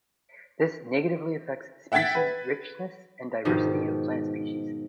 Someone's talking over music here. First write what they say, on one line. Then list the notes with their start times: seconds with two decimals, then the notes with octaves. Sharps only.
This negatively affects species richness and diversity of plant species.
1.92 E5 F#5 G5 G#6 A6 B6
2.15 B4
3.45 G#2 B2 D#3 F3